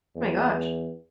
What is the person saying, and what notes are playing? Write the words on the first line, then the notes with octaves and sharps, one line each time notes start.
My gosh.
E2